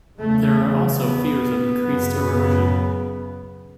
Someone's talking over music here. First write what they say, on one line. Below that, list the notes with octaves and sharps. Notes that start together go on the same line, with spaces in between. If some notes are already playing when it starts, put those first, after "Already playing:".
There are also fears of increased erosion.
E2 C#3 A3
B3
F#2 C#3